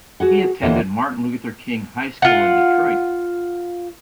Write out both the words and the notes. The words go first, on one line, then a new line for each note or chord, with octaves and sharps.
He attended Martin Luther King High School in Detroit.
F#4 G#4 F#5
D#2 A#2 D3 E3 F#5
F4 F#5